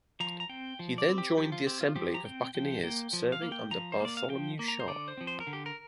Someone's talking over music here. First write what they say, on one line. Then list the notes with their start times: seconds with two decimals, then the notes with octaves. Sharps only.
He then joined the assembly of buccaneers serving under Bartholomew Sharpe.
0.20 F3 A#5
0.40 A#5
0.49 C4 G5
0.79 F3
0.98 D5
1.08 C4
1.18 G4
1.37 F3 G4
1.52 F4
1.67 C4 G4
1.81 F4
1.96 F3 G4
2.14 A#5
2.25 C4 G5
2.55 F3 G5
2.83 A#3 G5
3.13 F3
3.32 F5
3.42 A#3
3.52 G5
3.71 F3 A#5
3.92 C5
4.01 A#3 D5
4.17 F5
4.30 F3 G5
4.59 A#3
4.68 A#5
4.80 C5
4.88 D3 D5
5.08 C5
5.17 F3 C4
5.27 C5
5.40 A#4
5.47 D3
5.53 G4
5.66 A#4